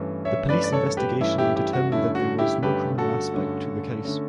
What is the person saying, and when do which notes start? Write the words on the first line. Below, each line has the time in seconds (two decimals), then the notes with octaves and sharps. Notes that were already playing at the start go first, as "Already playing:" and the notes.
The police investigation determined that there was no criminal aspect to the case.
Already playing: G2 E3 A3 C#4
0.25 C#5 E5
0.49 G2 E3 A3 C#4 B4 D5
0.64 D5
0.72 A4 C#5
0.97 G4 B4
1.20 G2 E3 A3 C#4 E4
1.38 E4 G4
1.56 E4 G4
1.73 F#4
1.92 G2 D3 A3 C#4 E4
2.15 F#4
2.38 E4 G4
2.63 G2 D3 A3 C#4 G4 B4
2.98 F#4 A4
3.33 G2 D3 A3 C#4
4.04 D3 A3 C#4